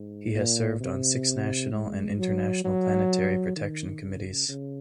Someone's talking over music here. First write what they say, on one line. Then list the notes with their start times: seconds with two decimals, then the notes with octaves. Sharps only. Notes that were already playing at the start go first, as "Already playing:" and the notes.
He has served on six national and international planetary protection committees.
Already playing: G#2
0.35 A#2
0.80 C3
1.73 G#3
2.18 F#3
2.65 F#3
3.57 D#3
4.03 C#3
4.49 C#3